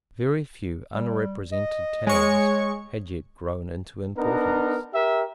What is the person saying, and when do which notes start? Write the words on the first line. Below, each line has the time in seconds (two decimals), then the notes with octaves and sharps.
Very few unrepresented towns had yet grown into importance.
0.95 G3
1.52 D#5
2.07 G#3 C#5 C#6
4.17 B3 D4 D#4 A#4
4.93 G4 A#4 E5